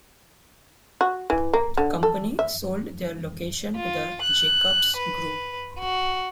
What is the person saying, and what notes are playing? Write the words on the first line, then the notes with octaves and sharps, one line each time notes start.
The company sold their location to the Jacobs Group.
F#4
E3
A#3
D3
A4
E5
F4
F#6
B4
F#4